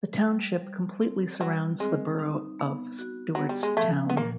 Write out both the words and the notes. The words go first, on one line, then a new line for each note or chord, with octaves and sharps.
The township completely surrounds the borough of Stewartstown.
G3
G3
C4
F#3 G3
G#3 C4
D#4
B3
F#4
F#3 B3
G3
G#3
F3 A3
B3
A#2 A#3